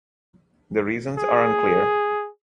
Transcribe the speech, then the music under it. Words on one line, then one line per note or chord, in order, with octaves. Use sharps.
The reasons are unclear.
G#4